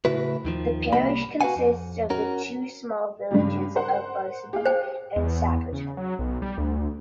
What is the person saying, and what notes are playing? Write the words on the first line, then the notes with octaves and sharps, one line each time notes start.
The parish consists of the two small villages of Braceby and Sapperton.
A2 C#3 E4 F#4 B4
D#2 D#3 F3
C2 A#3 G4 B5
F#4 B4 C#5 F5 F#5 G#5
F2
C#4 F#4 A#4
G2 C#3 G3
A#4 C5 F#5
G4 G#4 F5
C5 G5
E2
C#3
F#3
B1
G3
D2